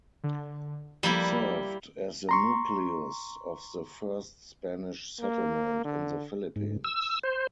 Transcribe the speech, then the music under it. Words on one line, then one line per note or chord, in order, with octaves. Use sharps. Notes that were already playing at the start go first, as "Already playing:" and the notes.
It served as the nucleus of the first Spanish settlement in the Philippines.
D3
F3 G3 A#3 E4
A#5 C6 C#6
A#3
D3
G#2
E6
C5